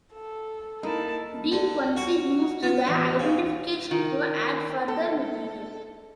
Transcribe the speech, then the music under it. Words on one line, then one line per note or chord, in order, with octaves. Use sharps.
De Quincey used the identification to add further material.
A4
A#3 D#4 E4 A5
D3
F#4
B3
A1
C#3
D#3
A4